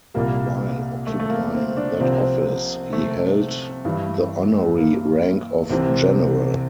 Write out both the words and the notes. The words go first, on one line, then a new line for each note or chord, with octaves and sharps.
While occupying that office, he held the honorary rank of general.
C2 A#2 G3 A#3
A3
A3
A#3
C4
D4
C2 C3 F3 C4
A3
G2 E3 G3
A#3
C2 C3 E3 C4